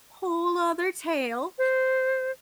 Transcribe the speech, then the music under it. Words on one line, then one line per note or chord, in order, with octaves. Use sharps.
whole other tale,
C5